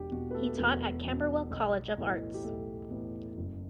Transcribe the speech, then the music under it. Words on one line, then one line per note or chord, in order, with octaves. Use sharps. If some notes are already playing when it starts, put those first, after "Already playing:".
He taught at Camberwell College of Arts.
Already playing: E1 D4 G4
E2 B2 F#4
B4
A3 A4
A4
E1 B3 B4
E2 B2
B1
A2 E3 B3
G4
B1 A3 A4
A2 E3 B3
F#1